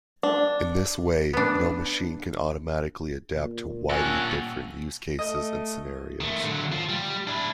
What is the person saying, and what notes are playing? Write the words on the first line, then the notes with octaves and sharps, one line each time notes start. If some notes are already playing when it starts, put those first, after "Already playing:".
In this way NoMachine can automatically adapt to widely different use-cases and scenarios.
D4
B3 D4
A#2
G2 C#4 A4 F#5
A3 D#5
D#3 A3
D3 F#3
F3 F4
G3
D4 E4